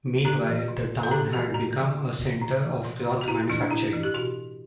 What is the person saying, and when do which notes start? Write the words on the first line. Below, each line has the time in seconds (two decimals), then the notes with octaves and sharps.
Meanwhile, the town had become a centre of cloth manufacturing.
0.25 A2 G4
0.47 E3
0.68 B2
1.03 A4
1.11 A2 G4
1.33 E3 F#4
1.54 A2 F#4
1.76 E3
1.98 B2
2.41 A2
2.62 E3
2.84 B2
3.21 F#4
3.28 A2 E4
3.50 E3 D4
3.70 A2 E4
3.93 E3
4.03 G4
4.14 B2 F#4